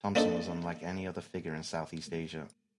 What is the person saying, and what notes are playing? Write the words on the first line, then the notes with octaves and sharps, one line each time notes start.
Thompson was unlike any other figure in Southeast Asia.
A#3 C4 D4 D#4 A4